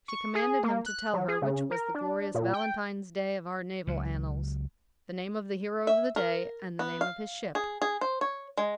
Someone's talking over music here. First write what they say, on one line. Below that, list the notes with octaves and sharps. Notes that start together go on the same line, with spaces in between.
She commanded him to tell her which was the glorious Valentine's day of our naval annals; the name of the hero of the day, and the name of his ship.
C#6
G#4
A#3
F#6
F#3
G#4
C#3
A#4
D4
A#2
G5
C#2 F#3
E5
A#4
B3
F5
G#4
G#4
C5
C#5
G#3